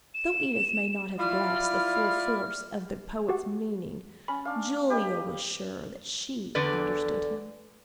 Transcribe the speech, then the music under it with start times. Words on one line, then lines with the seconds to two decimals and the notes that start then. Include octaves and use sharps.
Though Edith may not have grasped the full force of the poet's meaning, Julia was sure that she understood him.
0.14 E7
1.20 E4 F4 D5 F6
3.29 F#4 G4 F#5
4.28 C#4 B5
4.45 D4 F5
4.90 G4 B4 D#5
6.55 E2 D3 B4 D5